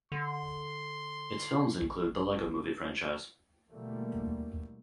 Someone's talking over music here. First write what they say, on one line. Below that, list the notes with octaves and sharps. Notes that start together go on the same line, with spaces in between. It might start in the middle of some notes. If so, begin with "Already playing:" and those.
Its films include "The Lego Movie" franchise.
D3 C6
A1
B2 D3 E3 G3 A3 A#3